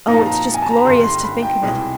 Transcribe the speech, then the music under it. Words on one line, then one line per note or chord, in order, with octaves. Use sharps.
Oh, it's just glorious to think of it.
A#2 F3 A#3 D#4 A#5
A5
A#5
G#5
A5
A#5
B5
G2 D3 G3 C6
C6
B5
G5
C2 B2 G#3